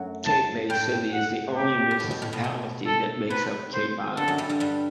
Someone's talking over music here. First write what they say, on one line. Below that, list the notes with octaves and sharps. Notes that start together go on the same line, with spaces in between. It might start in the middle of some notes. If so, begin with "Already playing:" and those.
Cape May City is the only municipality that makes up Cape Island.
Already playing: F#2 F#3 A3
A5
A2 G5
F#5
G4
A2
B2
B2
A2
B2
B2
A4
C3 B4
C5
D3 A4
F#2 F#3
G2 G3
G2 G3
G2 G3